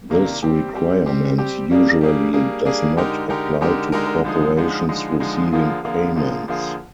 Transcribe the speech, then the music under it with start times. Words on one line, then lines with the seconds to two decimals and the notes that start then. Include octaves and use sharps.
This requirement usually does not apply to corporations receiving payments.
0.10 C3 D#3 A#3 D4
0.43 G3 C4 G4
0.75 G3 C4 G4
1.06 G3 C4 G4
1.38 G3 C4 G4
1.70 G3 A#3 D4 G#4
2.01 G3 A#3 D4 G#4
2.33 G3 A#3 D4 G#4
2.65 G3 A#3 D4 G#4
2.97 D3 G#3 D#4 G4 A#4
3.29 D3 G#3 D#4 G4 A#4
3.61 D3 G#3 D#4 G4 A#4
3.92 D3 G#3 D#4 G4 A#4
4.24 D3 F3 G#3 D#4 G#4
4.57 D3 F3 G#3 D#4 G#4
4.89 D3 F3 G#3 D#4 G#4
5.20 D3 F3 G#3 D#4 G#4
5.52 D3 F3 A#3 F4 G#4
5.84 D3 F3 A#3 F4 G#4
6.16 D3 F3 A#3 F4 G#4
6.48 D3 F3 A#3 F4 G#4